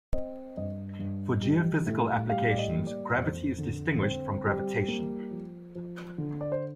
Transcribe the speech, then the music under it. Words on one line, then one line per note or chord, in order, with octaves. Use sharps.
For geophysical applications, gravity is distinguished from gravitation.
C4 D#5
G2 D#5
G2
G3
A2
G3 F5
D5
D#5
A#3
D5
D5
F2 C5
D3
C4
G3
A#3
F3
F3
D3
D5
C5